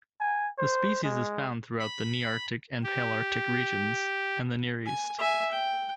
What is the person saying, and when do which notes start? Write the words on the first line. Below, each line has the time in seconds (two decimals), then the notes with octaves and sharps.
The species is found throughout the Nearctic and Palearctic regions and the Near East.
0.20 G#5
0.58 C5
1.04 G#3
1.79 B5
2.84 G4
4.85 G#5
5.18 E5 G#5
5.51 G5